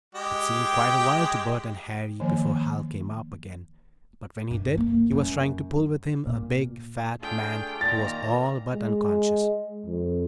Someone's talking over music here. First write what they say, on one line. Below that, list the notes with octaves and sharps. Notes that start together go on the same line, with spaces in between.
It seemed quite a while to Bert and Harry before Hal came up again, but when he did he was trying to pull with him a big, fat man, who was all but unconscious.
G#3 G4
D#3 F3 A#3 C#5
G2
A#3
F#2
A#2
A3 D4 F4 G#4 G5
A#2 D#3 A#3 A#5 A6
G#3
F2